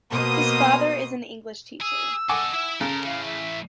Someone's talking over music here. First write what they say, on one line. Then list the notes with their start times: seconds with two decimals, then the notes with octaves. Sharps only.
His father is an English teacher.
0.12 B2 A#3 C5 D#6
1.81 G#4 E6
2.29 A4 D#5 F#5 G#5 D6
2.53 E4 E5
2.81 C#3 A4 A#4 A#5
3.05 A2 E3 F5
3.26 E5